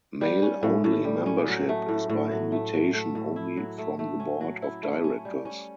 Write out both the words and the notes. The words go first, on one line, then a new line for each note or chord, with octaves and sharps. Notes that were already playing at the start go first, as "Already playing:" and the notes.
Male-only membership is by invitation only from the board of directors.
G3
C#4
A2
A2
G3
C#4
F#3
A3
A2
A2
F#3
A3
F#3
A3
A2
E4
F#3
A3
A3
C#4
F#3
E4
A3
C#4
G3
C#4